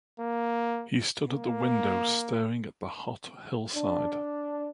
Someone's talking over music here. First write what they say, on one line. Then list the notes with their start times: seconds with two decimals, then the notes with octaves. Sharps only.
He stood at the window staring at the hot hillside.
0.20 A#3
1.29 A#3
3.75 D4